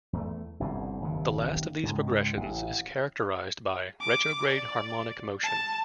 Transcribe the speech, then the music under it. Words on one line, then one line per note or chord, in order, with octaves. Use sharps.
The last of these progressions is characterized by "retrograde" harmonic motion.
E2 G#3 A3
G1 C2 F2 B2
F#1 D#2 C3
C#2 G#2
A1 A2
D6
D5
A5